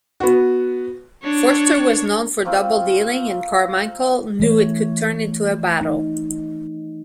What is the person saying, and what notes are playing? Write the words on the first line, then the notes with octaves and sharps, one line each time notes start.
Forster was known for double-dealing, and Carmichael knew it could turn into a battle.
B3 F#4
D4 C#5
A#3 C4 C#4 F4
E3 A3 C#5
D#4